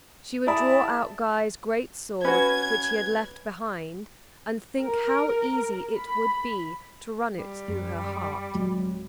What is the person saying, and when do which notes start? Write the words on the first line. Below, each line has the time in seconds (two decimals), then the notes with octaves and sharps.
She would draw out Guy's great sword, which he had left behind, and think how easy it would be to run it through her heart.
0.47 E4 G#4 D5 A5 B5
2.25 C#4 F#4 B4 G#6
4.81 A#4
5.96 B5
7.38 G3
7.68 F#2
8.55 D1 F#3 G#3